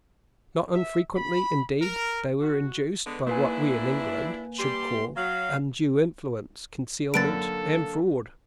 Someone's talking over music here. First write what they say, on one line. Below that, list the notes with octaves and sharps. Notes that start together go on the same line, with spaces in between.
Not unfrequently, indeed, they were induced, by what we in England should call undue influence, concealment, and fraud.
E5
B5
A#4
F#4
D3 G#3 B3
G#2 A#3 D4 E4 B4 G#5
G3 G4 C6
F#3 F5
F#2 D3 A#3 A4 B4 A6 D7